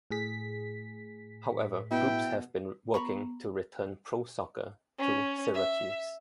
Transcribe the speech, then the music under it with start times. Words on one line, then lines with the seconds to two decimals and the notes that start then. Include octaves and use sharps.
However, groups have been working to return pro soccer to Syracuse.
0.11 A2 G#4 B6
1.91 B2 E4 G5
2.94 B3 A#5 B5 C#6
4.98 C#4
5.54 E5